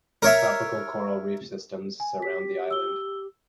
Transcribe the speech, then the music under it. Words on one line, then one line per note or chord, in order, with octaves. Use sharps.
Tropical coral reef systems surround the island.
A#4 C#5 E5
G#5
G4 B6
E6 G7